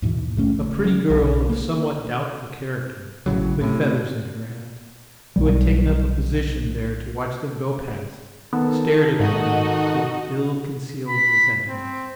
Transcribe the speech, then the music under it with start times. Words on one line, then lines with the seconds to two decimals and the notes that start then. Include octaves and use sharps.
A pretty girl of somewhat doubtful character, with feathers in her hat, who had taken up a position there to watch them go past, stared at them with ill-concealed resentment.
0.02 D#2 G#2 B2 E3
0.36 A#1 C#3 A3 C#4
0.84 F#3 C#4
1.10 B1
1.49 A#3
3.26 A1 A2 C#3 F#3
3.61 A2 C3
5.36 B1 G3
8.53 D#3 B3 A4
9.20 G#2 D#4 F#4 D#5
11.08 B5
11.68 C4